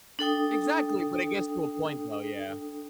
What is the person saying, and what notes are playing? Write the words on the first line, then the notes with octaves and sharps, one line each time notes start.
Exactly, but it gets to a point though, yeah.
D4 A4 G5 D#6